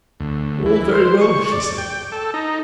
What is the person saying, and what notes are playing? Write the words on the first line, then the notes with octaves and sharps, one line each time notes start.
"All very well," she said.
D2
E3
C5
C#6
D5
G5
A4
D#4